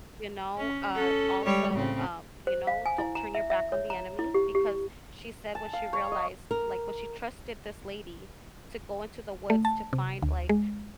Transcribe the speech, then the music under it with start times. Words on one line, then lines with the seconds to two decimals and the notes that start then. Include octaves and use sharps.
You know? Uh, also, um, you know, don't turn your back on the enemy, because she said when she realized, like, when she trusted this lady to go into the woods to find, like,
0.57 C#4
0.94 C#4 A4
1.45 G3 G#3 C#5
1.74 A2 C#3 C4
2.47 C5
2.67 F5
2.86 G#5
2.98 E4
3.15 A#5
3.35 E5
3.50 E5
3.72 C#5
3.90 A#5
4.19 E4
4.34 G4
4.55 G4
5.55 A5
5.73 F5
5.93 C#5
6.12 D#5
6.51 A#4
9.50 A3
9.65 A5
9.93 C3
10.22 D2
10.49 G#3